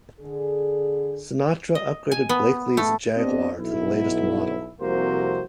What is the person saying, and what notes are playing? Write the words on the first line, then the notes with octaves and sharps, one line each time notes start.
Sinatra upgraded Blakeley's Jaguar to the latest model.
D3 G#4
D#5
G#5
B3
A3
B3 C4 D4 G4 C5 D#5
B1 E4
C2 F2 C3 A#3 F#4 C5